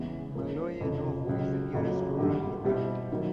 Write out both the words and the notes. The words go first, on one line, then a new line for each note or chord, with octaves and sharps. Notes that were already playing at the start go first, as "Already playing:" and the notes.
Maloye Novo is the nearest rural locality.
Already playing: E2 C#3 E3 G#3 B3
G#2 F3 A#3 C#4
F1 F2 C#3
C#2 C#3 F#3
F#1 F2 C#3 F#3
G#1 G2 D3 G3
B2 G3 C4 E4 G4
D#3 F#3 A#3